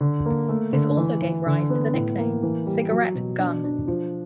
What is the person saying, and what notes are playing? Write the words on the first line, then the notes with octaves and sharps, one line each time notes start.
This also gave rise to the nickname, "cigarette gun".
D3
A#3
A3
D3
E3
E3
D3
B3
A2
A#3
E3
G3
F#3
B2
D4
D4
F3